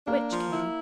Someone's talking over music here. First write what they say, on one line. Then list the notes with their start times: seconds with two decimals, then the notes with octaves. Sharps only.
"Which, Katy?"
0.07 A#3 D4 A#4
0.30 F3
0.53 E4